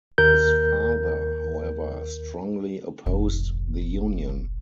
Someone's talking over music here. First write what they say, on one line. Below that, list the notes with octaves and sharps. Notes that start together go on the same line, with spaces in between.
His father, however, strongly opposed the union.
D#2 A#4 G6
F1 A#1